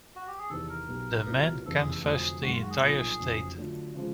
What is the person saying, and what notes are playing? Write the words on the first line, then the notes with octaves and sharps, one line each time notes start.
The men canvased the entire state.
F#4
G4
G#4
E2 C3 D#3 A4
A#4
B1 B2 G3
C2 A#2 F#3 B3 E4
F1 E2 C#3 E3 A4
G#4
A4
F1 F2 D3 F#3 A3 G#4
F#2 D#3 G#3 F#4
F4
F#4
G#4
B1 A#2 F3 A#3
F1 F2 C#3 F#3
D3 F#3 A3 D4 F4
C#3 F3 G#3